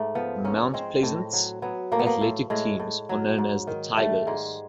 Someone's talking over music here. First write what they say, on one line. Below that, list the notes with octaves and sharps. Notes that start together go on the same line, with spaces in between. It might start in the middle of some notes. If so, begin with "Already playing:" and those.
Mount Pleasant's athletic teams are known as the "Tigers".
Already playing: G#2 A3
F3 B3
G#2 C#4
G#3 C4
A2
F#3
F#3 B3
A2 A#3
B3
A#3
A2
A2 G#3
A2
F#3
G#2
D#3
G3 A3
G#2 G#3